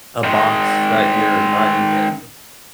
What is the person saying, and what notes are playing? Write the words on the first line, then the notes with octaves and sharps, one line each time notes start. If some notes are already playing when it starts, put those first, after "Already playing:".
a box that you're not even,
D#3 G#3